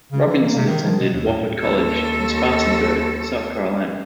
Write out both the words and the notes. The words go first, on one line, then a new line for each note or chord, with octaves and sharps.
Robinson attended Wofford College in Spartanburg, South Carolina.
C#3
E3
A#3
C3
D#3
F3
B2
D#2
A2
D#2 A4